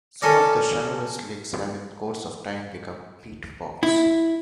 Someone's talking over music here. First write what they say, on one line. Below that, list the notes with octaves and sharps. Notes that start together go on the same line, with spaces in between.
Some of the shallowest lakes have in the course of time become peat-bogs.
C#4 A4 A#4 D5
E4